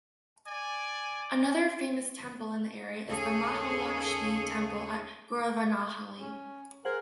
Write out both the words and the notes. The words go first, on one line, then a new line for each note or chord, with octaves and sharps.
Another famous temple in the area is the Mahalakshmi Temple at Goravanahalli.
D5 G#5
D#2 C#3 G#4 A4 C#5
C#4
G#4 A#4 C5 F#5